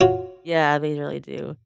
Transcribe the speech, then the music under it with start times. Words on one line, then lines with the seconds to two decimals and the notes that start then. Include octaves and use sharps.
Yeah, they really do.
0.01 F4 F#4 C#5